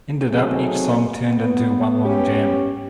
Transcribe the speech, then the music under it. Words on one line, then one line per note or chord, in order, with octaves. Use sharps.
Ended up each song turned into one long jam.
D#3 F#3 A3 C4 G#4
B3
B3 C#4 G4